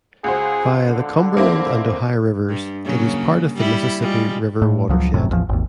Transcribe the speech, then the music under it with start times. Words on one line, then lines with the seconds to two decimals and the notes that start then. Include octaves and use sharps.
Via the Cumberland and Ohio rivers, it is part of the Mississippi River watershed.
0.24 C#2 F#4 G#4 C5
0.86 D3
1.37 A#3 C4 E4
2.49 G2
2.84 C#3 F#3 A#3
3.55 G3 E4
3.98 G3 G#3 F4
4.62 A2
4.89 C#2 F3 F#3
5.14 G1 F#2 A2 C3
5.29 A1 E2 F3
5.49 G#1 D#2